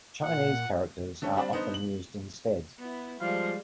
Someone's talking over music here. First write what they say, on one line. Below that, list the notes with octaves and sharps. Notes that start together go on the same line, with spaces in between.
Chinese characters are often used instead.
A#2 F#5
D3 A3 C#4
G3 C4 D4
D3 B3 D#4 C5
F#7
B3 E4
F3 G3 G#3 F5